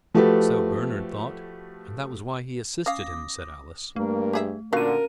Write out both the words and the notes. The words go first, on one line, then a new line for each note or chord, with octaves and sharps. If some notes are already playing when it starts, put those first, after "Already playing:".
"So Bernard thought, and that was why he assisted him," said Alice.
F3 A3 F#4 G4 A4 B4
C#4 F5 D6 D#6 A#6
G2 A3 A#3 A#4
G4 G#4 E5
A#2 D3 C#4 F#4 A#4 F5 D#7